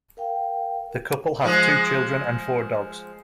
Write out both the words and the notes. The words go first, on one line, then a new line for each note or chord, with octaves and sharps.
The couple have two children and four dogs.
A#4 F5 G5
F3 G#3